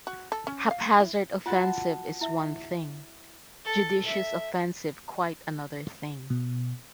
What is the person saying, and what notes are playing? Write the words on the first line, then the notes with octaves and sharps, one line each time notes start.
Haphazard offensive is one thing; judicious offensive quite another thing.
F#4
A4
C#4
F5
E4
F4 F#4 F#5 A5
E4 E5
A4
E5
B2